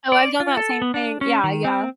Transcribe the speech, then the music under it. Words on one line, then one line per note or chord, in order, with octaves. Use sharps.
Oh, I've done that same thing. Yeah. Yeah
D5
F4
A4
B3
D4
C#4
D#3
C4